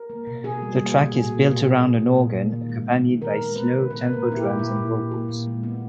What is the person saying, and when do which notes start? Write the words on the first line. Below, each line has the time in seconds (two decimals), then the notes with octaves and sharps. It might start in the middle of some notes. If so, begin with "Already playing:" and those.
The track is built around an organ accompanied by slow tempo drums and vocals.
Already playing: A#4
0.10 A#3
0.27 B2
0.44 B2 G#4
0.62 G3
0.79 A#3
0.96 B2
1.14 A#2 G#4
1.31 A#3
1.48 A#2
1.65 A#3
1.83 A#2
2.00 A#3
2.17 A#2
2.35 A#3
2.52 D#3
2.69 G#3
2.87 B3
3.04 D#3
3.21 D#3 A#4
3.38 G#3
3.56 B3 B4
3.73 D#3
3.90 A#2 B4
4.08 A#3
4.13 A#4
4.25 A#2
4.32 E4
4.37 G4
4.42 A#3
4.59 A#2 E4
4.77 A#3
4.94 A#2
5.11 A#3
5.29 A#2
5.47 G#3
5.63 B3